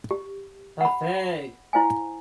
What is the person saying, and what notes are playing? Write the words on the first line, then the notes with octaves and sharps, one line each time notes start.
The Fig.
G4
F#5 B5
E4 C5 F5 G#5